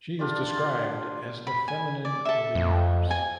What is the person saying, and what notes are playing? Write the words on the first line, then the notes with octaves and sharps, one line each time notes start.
She is described as "the feminine of the universe".
D4 F4 G4 D5
B5
G#5
D5
A4 E5
F2
G#5